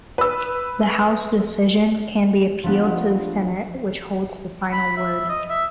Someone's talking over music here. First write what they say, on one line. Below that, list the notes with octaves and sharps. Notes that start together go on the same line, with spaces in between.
The House decision can be appealed to the Senate, which holds the final word.
B4 E6
F3 A3 B3 D4
B5
E5
D#5
E5